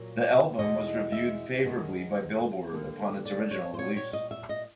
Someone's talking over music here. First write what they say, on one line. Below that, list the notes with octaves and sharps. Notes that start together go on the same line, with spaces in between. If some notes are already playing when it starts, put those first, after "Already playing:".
The album was reviewed favorably by "Billboard" upon its original release.
Already playing: A#2 F#3 A#3
E2 B2 G#3 B3 D#5
E5
F#2 D#3 G#3 B3
D2 D3 G3 A#3
D5
C#5
C5
A#2 G3 B3 C#5
C#5
D#5
E5
D#5